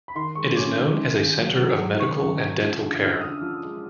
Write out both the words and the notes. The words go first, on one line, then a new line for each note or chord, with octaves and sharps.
It is known as a center of medical and dental care.
B5
D#3 C6
G#3 C#6
C#4 D6
D#3
D#3
D#3
F#3
F#3
F#3
D#3 C#6
F#2
F#2
F3
D3
D3 F6
E6
D3 D#6
F3
G#3